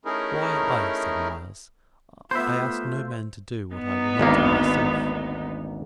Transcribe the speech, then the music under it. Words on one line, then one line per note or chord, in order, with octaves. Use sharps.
"Why, aye," said Myles; "I ask no man to do what I will not do myself."
A3 C#4 D#4 E4 G#4 A#4
A3 B3 F4 C5 E5
B3 D#4
G#1 D2 A#3